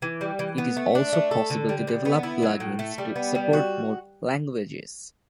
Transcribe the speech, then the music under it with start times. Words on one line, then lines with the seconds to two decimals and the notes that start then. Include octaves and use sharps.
It is also possible to develop plug-ins to support more languages.
0.02 E3
0.21 G3
0.39 E3
0.58 B3
0.77 A3
0.95 D4
1.13 A3
1.31 A4
1.50 D3
1.69 G3
1.87 D3
2.05 B3
2.23 E4
2.42 F#3
2.60 A2
2.79 A3
2.98 G3
3.16 B3
3.35 G3
3.53 F#4